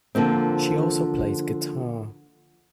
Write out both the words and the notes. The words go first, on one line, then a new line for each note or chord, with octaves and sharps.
She also plays guitar.
D3 F3 A#3 C4